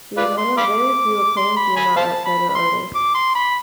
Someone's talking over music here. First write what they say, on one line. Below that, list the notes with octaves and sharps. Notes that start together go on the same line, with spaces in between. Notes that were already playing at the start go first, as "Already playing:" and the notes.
She is one of very few acclaimed female outsider artists.
F4 B4 D5
C6
F5 B5 D6
C6
B5
G#5 B5
C5 F5 A5
B5
B5
C6
D6
C6
B5